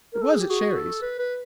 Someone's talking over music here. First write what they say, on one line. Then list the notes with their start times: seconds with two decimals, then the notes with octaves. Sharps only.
It was at Sherry’s.
0.13 A#4
0.22 A4
0.32 G#4
0.40 G4
0.50 F#4 G#4
0.75 A4
1.02 B4
1.19 B4